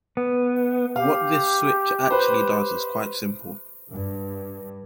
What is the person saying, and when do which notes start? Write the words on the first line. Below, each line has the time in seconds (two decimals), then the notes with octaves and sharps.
What this switch actually does is quite simple.
0.17 B3
0.96 G4 F5
2.10 B4 C5
3.89 G2